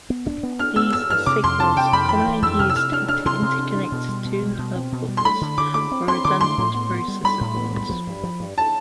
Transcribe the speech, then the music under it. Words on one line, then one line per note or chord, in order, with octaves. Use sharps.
These are signals commonly used to interconnect two hub boards, or redundant processor boards.
B3
D4
B3
D4 F6
B3 E6
G2 E6
G2 F6
C3 D6
F2 C6
C3 A5
C3 G5
F2 B5
E3 B5
E3
F2 E6
C3 F6
E6
C3 F6
D4 F6
D4 F6
C3 C6
C3
D4
D4
B2
G3
B2
G3
B2
C4
B2
G3
C6
A3 B5
D3
D3 D6
A3 D6
C4
C4 C6
D3 D6
A3 C6
A2
B3
B3
G3
G3 B5
A2
B3
G3
F3
G2
F3
G2
A5